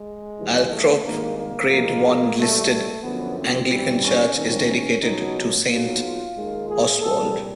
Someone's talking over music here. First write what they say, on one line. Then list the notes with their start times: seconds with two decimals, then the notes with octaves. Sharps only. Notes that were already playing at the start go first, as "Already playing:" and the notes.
Althorpe Grade One listed Anglican church is dedicated to Saint Oswald.
Already playing: G#3
0.37 D#2 C#3 E3 G3
0.69 A3
1.03 G#1 G2 D#3 G#3 A#3
1.35 A#3
1.69 A1 G#2 F3 G#3 A#3
2.36 C#2 B2 G3 A3
2.69 A3
3.02 F#2 D3 F3 B3
3.36 C4
3.69 G2 E3 G3
4.02 C#4
4.35 C2 C3 D#3 C#4
5.02 C#2 B2 F#3 D#4
5.68 B1 B2 F#3 F4
6.35 D#2 D#3 G#3
6.68 G#4
7.01 C2 A#2 G3 A4